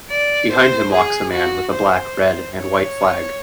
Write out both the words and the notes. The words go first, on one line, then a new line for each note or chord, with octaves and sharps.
Behind him walks a man with a black, red, and white flag.
D5
C5
G#4
F#4
C5
C#5